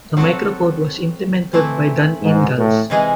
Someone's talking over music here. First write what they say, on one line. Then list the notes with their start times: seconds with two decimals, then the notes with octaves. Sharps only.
The microcode was implemented by Dan Ingalls.
0.17 F#3 C4 F#4 A4
1.53 E3 A3 C4 E4
2.22 G#2
2.56 A2
2.90 C3 E3 G#3 D#4 G#4